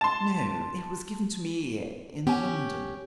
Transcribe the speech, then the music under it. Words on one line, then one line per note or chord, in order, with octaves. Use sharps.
"No, it was given to me in London."
A5 C6
B3 C#4 G4 G#5